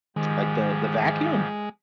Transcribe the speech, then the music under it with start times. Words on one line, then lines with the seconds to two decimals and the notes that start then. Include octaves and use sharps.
Like the the vacuum?
0.16 G#2 D#3 F3 G#3 G4